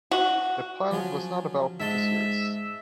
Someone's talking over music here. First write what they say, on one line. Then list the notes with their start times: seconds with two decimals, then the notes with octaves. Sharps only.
The pilot was not developed into a series.
0.11 F#4
0.91 F3 F#3 C#4
1.80 G#2 E5 A5 C6